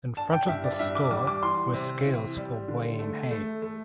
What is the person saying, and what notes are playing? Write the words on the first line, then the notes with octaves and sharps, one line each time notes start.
In front of the store were scales for weighing hay.
D4 A5
G5
G2 E5
D5
G2 E5
D6
G3 D6
D6
E3 C6
C3
E3
G3
D3
A3
A3
A3